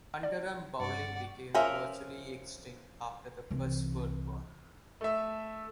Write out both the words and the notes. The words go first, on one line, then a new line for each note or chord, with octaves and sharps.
Underarm bowling became virtually extinct after the First World War.
D5
G2 D5 F#5 C#6
F3 C#4 A#4 E5
C2 E3
A3 E5